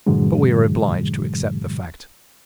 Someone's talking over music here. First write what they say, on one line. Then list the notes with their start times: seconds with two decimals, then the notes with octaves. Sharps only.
But we are obliged to accept the fact.
0.06 G2 A#2 D3 E3 F#3 G#3